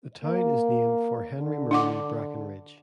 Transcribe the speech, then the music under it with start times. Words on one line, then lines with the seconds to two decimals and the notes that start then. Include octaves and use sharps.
The town is named for Henry Marie Brackenridge.
0.24 A#3
1.38 D3
1.71 D4 F#5 D6